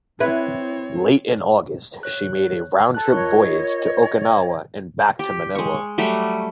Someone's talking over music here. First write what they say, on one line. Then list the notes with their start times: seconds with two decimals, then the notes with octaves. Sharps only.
Late in August, she made a round-trip voyage to Okinawa and back to Manila.
0.20 C4 E4 B4 C#5
2.03 C#5 F#6
2.94 A4 A5 F#6
3.12 F4 A#4 C#5 D#5 C#6
5.19 G4
5.55 G#3 C#6
5.98 F#3 G3 A3